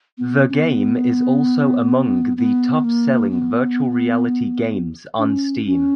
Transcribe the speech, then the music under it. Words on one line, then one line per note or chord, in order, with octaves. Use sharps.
The game is also among the top selling virtual reality games on Steam.
B3
C#4
B3
B3
A#3
B3
D4
C#4
C#4